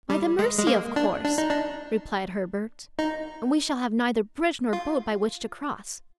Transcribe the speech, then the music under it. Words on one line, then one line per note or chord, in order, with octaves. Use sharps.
"By the Mercy! of course," replied Herbert, "and we shall have neither bridge nor boat by which to cross."
G3
G#3
G#3
A#3
D4
D4
D#4
D4
D#4
F4